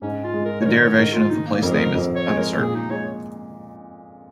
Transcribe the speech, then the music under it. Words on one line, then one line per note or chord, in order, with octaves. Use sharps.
The derivation of the place name is uncertain.
G#2 C#4
F4
G#3
A#4
C#5
D#3 A#4
C#5
G#2 A#4
F4
D#3 D#4
A#3
F2 A#4
G#4
A#4
F2
C#5
G#3
A#4
A#2 G#4
D#4
G#3 C#5